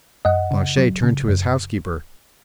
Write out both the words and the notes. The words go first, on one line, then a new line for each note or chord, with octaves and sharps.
Planchet turned to his housekeeper.
F#2 D#5 F#5
C#3
F#3
C#3
F#2